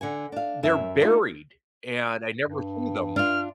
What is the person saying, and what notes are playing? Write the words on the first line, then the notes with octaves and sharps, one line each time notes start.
they're buried, and I never see them.
D3 F#5 G#5
D4 F5
F#2 A#4 E5
A3 D4 D#4 F4
G2
D4 F4 F6